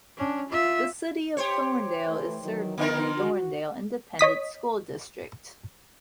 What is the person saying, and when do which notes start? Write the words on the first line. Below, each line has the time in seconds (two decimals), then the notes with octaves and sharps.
The City of Thorndale is served by the Thorndale Independent School District.
0.17 C#4 D4
0.49 F4 E5
1.37 G4 C5 C#5
2.06 E3 A3
2.43 D#3 E3 F#3
2.78 D3 F3 B3 D#4 A#4
3.17 F#4
4.19 C#5 D#5 D#6 B6